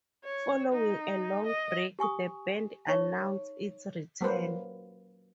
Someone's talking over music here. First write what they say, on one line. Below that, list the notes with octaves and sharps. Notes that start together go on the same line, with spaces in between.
Following a long break, the band announced its return.
C#5
D#4
D#5
G4 G#5 C#6 D#6
D#4 C#5 C#6
F#3 A#3 B4 C5